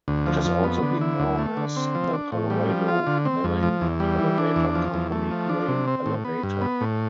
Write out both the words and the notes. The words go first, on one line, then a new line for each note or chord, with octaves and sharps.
It has also been known as the Colorado Milling and Elevator Company Grain Elevator.
D2
F3
F2
B3
D3
E4
D2
A3
D3
C4
F3
D4
A2
G3
F3
F4
D3
C4
F2
F3
E2
G3
E3
D4
E2
F3
E2
A3
F3
D4
C3
C4
A2
B3
G2
B3
A2